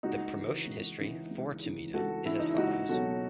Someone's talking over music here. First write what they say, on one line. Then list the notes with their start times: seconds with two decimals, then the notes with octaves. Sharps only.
The promotion history for Tomita is as follows.
0.03 C#2 D#4 F#4
0.36 C#3 E3
0.67 C#2
0.99 C#3 E3
1.31 C#2
1.62 C#3 E3
1.94 C#2 F#4 A4
2.26 C#3 E3 E4
2.40 D#4
2.49 E4
2.58 C#2 D#4 F#4
2.89 B2 F#3 F#4 A4